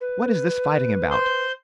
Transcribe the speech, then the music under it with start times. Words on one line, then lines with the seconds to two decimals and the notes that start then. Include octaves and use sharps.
What is this fighting about?
0.01 B4
1.11 C5 C6 G6